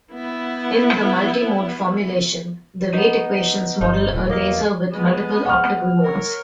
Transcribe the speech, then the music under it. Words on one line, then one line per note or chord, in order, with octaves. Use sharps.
In the multimode formulation, the rate equations model a laser with multiple optical modes.
B3 E4
B3 D#4
G1 D#4 C5
D#1 A2 E3
E2 A#3 D#5 F5
G#3 B3
F#5 F6
A#4 C#5